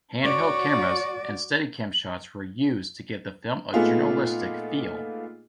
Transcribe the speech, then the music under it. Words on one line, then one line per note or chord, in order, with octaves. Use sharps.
Handheld cameras and Steadicam shots were used to give the film a journalistic feel.
F#4 C#5 D5
A#2 A3 B3 D#4 F4 G#4